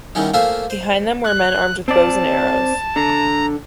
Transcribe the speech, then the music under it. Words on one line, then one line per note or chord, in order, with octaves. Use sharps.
Behind them were men armed with bows and arrows.
E2 D#3 E3 G3 C#4 D#4
A3 A#3 F4 C5 E5 G#5
C5
F#6
C4 D5 A5
D3 A#5